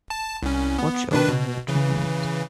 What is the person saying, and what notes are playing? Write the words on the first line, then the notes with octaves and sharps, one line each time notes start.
Watch over her tonight.
A5
C2 C#4
B3
D#3 D4 B4
B2
C#3 E3